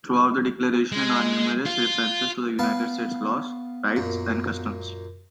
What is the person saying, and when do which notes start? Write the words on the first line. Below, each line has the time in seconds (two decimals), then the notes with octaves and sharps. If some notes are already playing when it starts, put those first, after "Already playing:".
Throughout the declaration are numerous references to the United States laws, rights, and customs.
0.92 G#3
1.65 F4
2.59 B3 B4 F5 A5
3.96 F#2 A#2